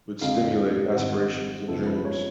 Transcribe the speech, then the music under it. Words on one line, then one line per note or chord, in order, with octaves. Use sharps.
would stimulate aspirations and dreams
F2 D3 G#3 F5
G#1 G#2 G#3 F#5
F#1 F#2 F3 B3 A4
B4
C#5